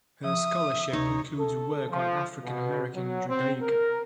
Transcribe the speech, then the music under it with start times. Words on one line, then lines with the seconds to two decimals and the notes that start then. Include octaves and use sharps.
Her scholarship includes work on African-American Judaica.
0.24 F3 E5 D#6
0.93 D2 C3 D#4 C#5
1.38 A4
1.90 F3
2.44 B2
2.95 F#3
3.29 C4
3.61 A#4